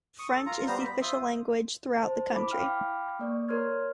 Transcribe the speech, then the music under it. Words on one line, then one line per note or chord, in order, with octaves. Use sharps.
French is the official language throughout the country.
C#6 D#6
A4
F4 A#5
G3 B3 C5 A#5
B5
F4 C5 E5 D#6
C5 A5
E4 B5 D6
F5 G5 B5 D6 F6
A#3 D5 C#6
A#4 C#5 C6 F6 G#6